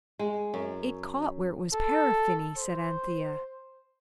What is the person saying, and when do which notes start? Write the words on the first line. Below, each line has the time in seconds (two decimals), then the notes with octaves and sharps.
'It caught where it was paraffiny,' said Anthea.
0.19 G#3
0.54 F#2
1.73 A4
2.58 C5